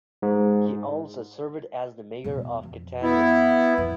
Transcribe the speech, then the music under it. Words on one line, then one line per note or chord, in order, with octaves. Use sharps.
He also served as the mayor of Catania.
G#2
E2 B2
F2
B3 E4
F2 A#2